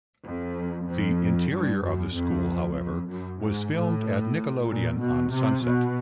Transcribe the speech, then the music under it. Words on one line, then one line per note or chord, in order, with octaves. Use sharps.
The interior of the school, however, was filmed at Nickelodeon on Sunset.
F2
F2
G2
F#2
F2
F2
F#2
G#2
A2
A#2
B2
C3
B2